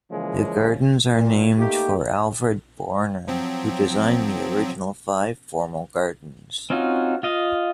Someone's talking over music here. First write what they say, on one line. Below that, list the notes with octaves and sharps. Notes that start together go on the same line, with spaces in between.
The gardens are named for Alfred Boerner, who designed the original five formal gardens.
C#3 E3 F3 G#3 A#3 C#4
A#2
A3 A#3 D#4 G4
F3 F#3 C4
C4 C#4 D#4 F4 F#4
F4 D#5 F5